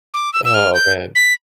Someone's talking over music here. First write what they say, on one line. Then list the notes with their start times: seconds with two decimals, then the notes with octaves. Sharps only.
Oh man.
0.14 D6
0.33 E6
0.45 E6
0.54 F6
0.74 G6
1.15 B6